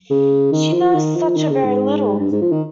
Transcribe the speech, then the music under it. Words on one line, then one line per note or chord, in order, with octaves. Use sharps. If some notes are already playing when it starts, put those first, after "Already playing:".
She knows such a very little!
C#3
D#3
F3
D#3
F3
D#3
C#3
G#2
G2
G#2
F3
D#3